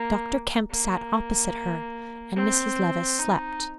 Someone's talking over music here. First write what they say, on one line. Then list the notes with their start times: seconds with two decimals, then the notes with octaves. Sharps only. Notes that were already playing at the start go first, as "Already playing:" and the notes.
Dr. Kemp sat opposite her--and Mrs. Levice slept.
Already playing: A#3
0.70 A#3
2.36 C4
3.19 D#4